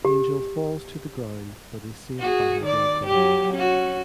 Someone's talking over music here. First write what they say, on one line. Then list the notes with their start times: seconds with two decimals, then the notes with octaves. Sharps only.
Angel falls to the ground but is saved by her dead grandma.
0.05 G4
2.19 F#4 G#4
2.62 D#3 D5
3.06 F#3 G4
3.53 C#4 F#4